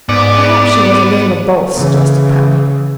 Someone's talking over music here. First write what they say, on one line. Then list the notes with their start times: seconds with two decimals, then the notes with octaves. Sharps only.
"Perhaps she was a little of both," suggested Putney.
0.09 G#2 B3 D5
1.75 C#3 E3